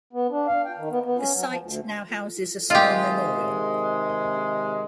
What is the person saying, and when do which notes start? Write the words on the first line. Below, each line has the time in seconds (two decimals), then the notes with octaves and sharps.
The site now houses a small memorial.
0.13 B3
0.30 D4
0.47 F5
0.65 G5
0.77 D#3
0.90 B3
1.03 B3
1.18 C#4
1.35 F#3
1.48 F3
1.61 D2
2.70 C3 D#3 G#3 F4 G4